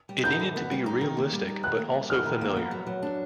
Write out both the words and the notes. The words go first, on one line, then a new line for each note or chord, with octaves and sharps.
It needed to be realistic but also familiar.
G3
D#4 G6
D3
B3
G3
D#4
D#3
A#3
G3
D#4
D#3 F#6
A#3
G3
D#4 F6
D#3
A#3
B3
F#3
F#3
D4